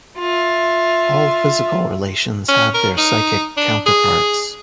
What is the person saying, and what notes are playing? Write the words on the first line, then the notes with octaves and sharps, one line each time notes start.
All physical relations have their psychic counterparts.
F4 E5
C#4
A#4
D#4
D4
G#4